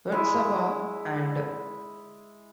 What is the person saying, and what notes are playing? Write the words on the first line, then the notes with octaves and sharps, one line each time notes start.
Yotsuba and !
G#3 E4